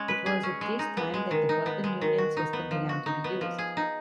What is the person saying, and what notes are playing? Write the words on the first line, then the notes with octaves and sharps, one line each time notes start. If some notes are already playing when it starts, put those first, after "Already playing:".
It was at this time that the Burton Union system began to be used.
Already playing: G#3 C#4
B4
G#4
C#4
G#3
D#4
B3
G#3
D#3
D#4
B3
G#3
D#3
F#4
D#4
B3
F3
F#4
D#4
B3
F3
G#4
D#4